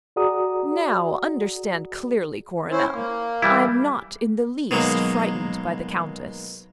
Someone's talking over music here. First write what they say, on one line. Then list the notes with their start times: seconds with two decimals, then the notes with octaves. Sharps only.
"Now, understand clearly, Coronel, I'm not in the least frightened by the Countess."
0.16 F#4 G#4 D5 F#5 A#5 D#6
2.71 C#4 E4 C5
2.93 A#3
3.42 E3 G3 E4
4.71 B2 D#3 F#3 G#3 A#3